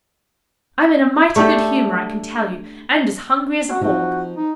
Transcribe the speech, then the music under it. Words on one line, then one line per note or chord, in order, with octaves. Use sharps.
I am in a mighty good humor, I can tell you, and as hungry as a hawk.
A3 D4 G4 A4
F#4
F3 C4 D#4 F#4
D#4